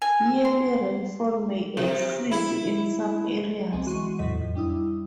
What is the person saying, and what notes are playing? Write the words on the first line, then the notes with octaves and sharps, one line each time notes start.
Yearly rainfall may exceed in some areas.
G#5
C6
C3
E4
C2 B3 C4 D#5 G#5
E3 G#3 F#4 C6 C#6 D#7
E2 A2 C3 F#3 D#5 B6
F2
G3 D4 E4 D#6